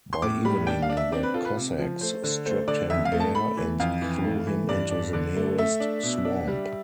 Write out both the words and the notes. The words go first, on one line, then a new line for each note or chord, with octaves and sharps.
By evening, the Cossacks stripped him bare, and threw him into the nearest swamp.
C6
A2 D6
G3 B5
D4 G5
F5
D4
E5
C4 D5
B4
F4 A4
B4
C3
F3
A3 C5
D3
A3 C5
D3 D5
F2 E5
F5
A3
A5
A3 B5
E3
F2 F5
E3
A3
E3
G2 D5
D4
D3 D5
A3
A3 E5
D4
B2
D4
G3